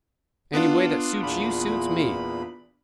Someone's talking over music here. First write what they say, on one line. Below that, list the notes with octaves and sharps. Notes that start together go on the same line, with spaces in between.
Any way that suits you suits me.
B3 D4 F4
E2 A#2 B5